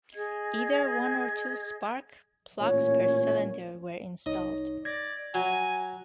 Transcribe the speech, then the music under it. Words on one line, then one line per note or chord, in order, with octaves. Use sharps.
Either one or two spark plugs per cylinder were installed.
G#4 D#5 G#6
A1 A#2 C#4 C#5
C2 D#4 C#5 D#5
D5 G#6 A#6
F#3 G#5